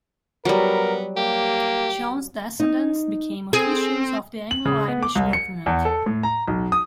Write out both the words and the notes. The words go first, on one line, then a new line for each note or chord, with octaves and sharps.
John's descendants became officials of the Anglo-Irish government.
F#3 G3 B3 A#4
A#3 G4
D#4
C4 G#4
F#7
C#3
B3
D6
C2
C#7
E2
A4
A2
A#5
B1
D#6